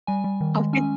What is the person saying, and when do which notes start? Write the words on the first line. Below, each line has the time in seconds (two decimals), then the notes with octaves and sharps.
I went
0.07 G3 G#5
0.24 G3
0.41 D#3
0.57 G#3
0.73 C#4 G#5